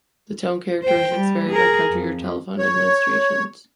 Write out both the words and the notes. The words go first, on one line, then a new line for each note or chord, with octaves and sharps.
The tone characteristics vary by country or telephone administrations.
C5 G5
G3
G#4 A#4
F2
C#5